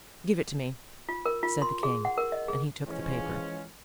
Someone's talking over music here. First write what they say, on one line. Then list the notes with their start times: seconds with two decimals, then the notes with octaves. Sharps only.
"Give it to me," said the king; and he took the paper.
1.09 F4
1.26 A#4
1.43 F4
1.62 C6
1.83 G#4
2.05 F#5
2.18 A#4
2.32 D#5
2.48 G#4
2.86 E3 F3 G#3 C#4